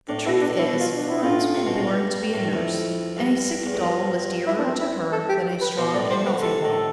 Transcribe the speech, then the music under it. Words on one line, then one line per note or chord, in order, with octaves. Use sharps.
The truth is, Florence was born to be a nurse, and a sick doll was dearer to her than a strong and healthy one.
A2 D4
B2 E4
D4
B2 E4
F4
D4
E4
A2 F4
C3
B2
A2
G2
A2
G2
F2 E4
G2
E2
F2
G2
E4
D4
C4
E4
A4
G4
B4
B2 C5
A2 D5
C3 C5
D3 B4
C3 A4
A2